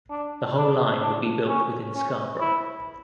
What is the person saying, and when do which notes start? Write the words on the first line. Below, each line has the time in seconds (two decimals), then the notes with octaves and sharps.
The whole line would be built within Scarborough.
0.10 D4
0.57 D4
1.02 D4
1.48 C#4
1.95 C#4
2.40 E4